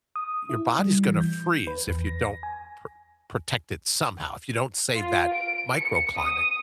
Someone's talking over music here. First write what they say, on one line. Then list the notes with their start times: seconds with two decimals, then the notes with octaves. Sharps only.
Your body's gonna freeze if you don't, pr protect it somehow, if you don't save that microclimate.
0.16 D#6
0.49 E4
0.79 G3
1.06 E3
1.21 G6
1.67 B4
1.88 E2
2.07 A#6
2.43 G#5
4.94 F4
5.34 D7
5.75 C#7
6.17 D#6